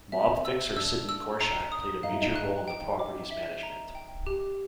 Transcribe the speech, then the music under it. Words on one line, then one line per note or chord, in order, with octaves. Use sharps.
Mob fixer Sidney Korshak played a major role in the property's management.
C4 E5
E6
D4 E6
E6
A#5
D#6
D#4 F5
E4
D#4
F#6
G5
D6
E5
A#5
G5
G4